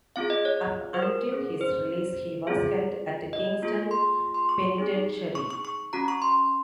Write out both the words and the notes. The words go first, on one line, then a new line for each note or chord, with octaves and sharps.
Up until his release, he was held at Kingston Penitentiary.
C4 F4 G#4 F5
D#5
C#5
C5
A#4
C#4 G#4
C5
C4 F4 G#4
D#5
A#3 F4 G#4
C6
C6
C#6
C4 D#4 G#4
C#6
C#6
C#6
C#4 F#4 A#5
C#6
C6